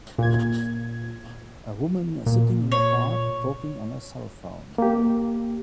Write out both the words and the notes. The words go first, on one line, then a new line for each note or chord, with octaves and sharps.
A woman sitting in a park, talking on a cellphone.
A#2 G#6
A#2
C#5
A#3 G4